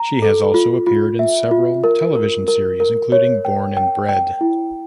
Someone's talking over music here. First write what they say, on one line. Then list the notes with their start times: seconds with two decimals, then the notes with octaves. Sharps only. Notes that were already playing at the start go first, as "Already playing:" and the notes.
She has also appeared in several television series, including "Born and Bred".
Already playing: A#5
0.22 A4
0.54 F4
0.87 F4
1.19 E5
1.51 F4
1.84 A#4
2.15 A#4
2.48 A#4
2.80 A#4
3.12 C#5
3.45 G5
3.77 G5
4.09 G5
4.41 E4